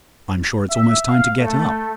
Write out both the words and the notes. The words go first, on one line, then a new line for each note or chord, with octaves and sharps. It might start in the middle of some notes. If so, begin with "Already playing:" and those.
I'm sure it's almost time to get up.
E5
F5
A3